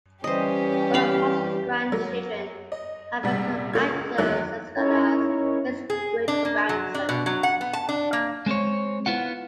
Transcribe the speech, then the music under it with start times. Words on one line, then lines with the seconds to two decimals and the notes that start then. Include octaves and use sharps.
All of Huston's grandchildren have become actors, as well as his great-grandson.
0.24 E3 G3 C#4 G4 C5 D#5
0.94 F5 B5
1.92 F#3 A#3
2.72 D#5
3.23 A#1 C3 G3 F#5
3.74 C#2 A#3 F4 G#6
4.18 E2 D#3 F#3 A#3 F#6
4.76 C#4 D#4 E4 A#4 C#5
5.90 G#4
6.28 D4
6.45 A#3
6.69 F#3
6.94 D4
7.09 B2
7.26 F#3
7.43 F#5
7.61 B3
7.73 A5
7.89 D4
8.13 A#3
8.46 G#3 C4 C5 C#5
9.06 B3 E4 F4 F#5